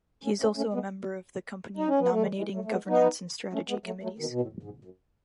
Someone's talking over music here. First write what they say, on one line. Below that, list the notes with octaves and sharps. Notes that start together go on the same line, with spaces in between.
He is also a Member of the Company Nominating, Governance and Strategy Committees.
A3 C#4
A3 C#4
A3 C#4
G#3 B3
D#4
C#4
B3
A3
E3 G#3
E3 G#3
F#3 A3
A3
G#3 B3
B3 D#4
A3 C#4
G#3 B3
F#3 A3
F#3 A3
B2 D#3
B2
A2
G#2
F#2